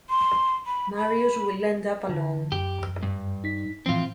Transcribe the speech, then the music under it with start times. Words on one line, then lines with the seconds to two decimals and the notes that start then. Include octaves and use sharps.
Marius will end up alone.
0.10 C6
0.66 B5
0.98 B5
2.09 D3
2.52 F#2 G4
3.03 G2
3.44 D#4 B6
3.86 A2 E3 F3 C4 F4